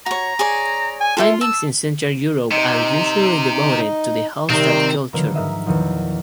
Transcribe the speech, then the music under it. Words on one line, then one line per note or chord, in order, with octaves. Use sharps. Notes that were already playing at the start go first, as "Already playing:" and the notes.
Findings in Central Europe are usually devoted to the Hallstatt culture.
F#4 C#5 A#5
G#4 C#5 D5
G#5
E4 F4 G#4 A4
A5 E6
C3 D#4 D#5
C3 D#3 G3 C4
D3 D#3 F3 F#3 B3 A#4
G#2 A#4 D#5 E5 D#7
E2 A#2 D#3 F3 F#3